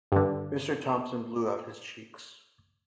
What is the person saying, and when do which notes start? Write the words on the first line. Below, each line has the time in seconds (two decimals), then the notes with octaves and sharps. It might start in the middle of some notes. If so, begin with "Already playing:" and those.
Mr. Thompson blew out his cheeks.
0.12 G2 D3